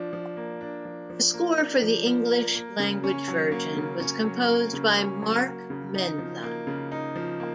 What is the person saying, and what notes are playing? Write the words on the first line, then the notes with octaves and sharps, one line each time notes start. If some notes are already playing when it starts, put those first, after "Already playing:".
The score for the English-language version was composed by Mark Menza.
Already playing: F3 D4
F3
A#3
D4
F3
F3
A#3
D4
F3
F3
A#3
A#3
C#3
C#4
F#3
A#3
C#3
C#4
F#3
A#3
C#3
C#4
F#3
A#3
C#3
D#4
F3
A#3
C#3
D#4
F3
A#3